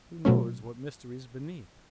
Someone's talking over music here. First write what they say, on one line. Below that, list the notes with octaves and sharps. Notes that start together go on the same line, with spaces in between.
Who knows what mystery's beneath?'
B2 F#3 A3 C#4